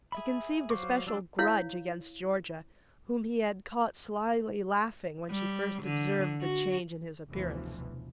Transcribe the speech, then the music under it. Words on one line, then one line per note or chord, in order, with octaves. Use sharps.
He conceived a special grudge against Georgia, whom he had caught slyly laughing when she first observed the change in his appearance.
G#4 E5 B5
F#3 C5 F5 C#6 D6
F#3 G3 D4 E6
E4 C#5 F5
G3
D3
F#4
F1 D2 B2 E3 F3